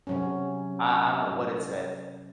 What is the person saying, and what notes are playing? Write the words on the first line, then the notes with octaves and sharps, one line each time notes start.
I I don't know what it said.
C3 F#3 C#4